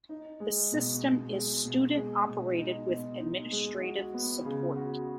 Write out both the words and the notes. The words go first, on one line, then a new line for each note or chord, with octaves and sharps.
The system is student-operated with administrative support.
D#4
G#3
B2
B2
G#3
B2
G#3
B2
D#4
B2
D#4
G#3
F#4
B3
C#3
F#4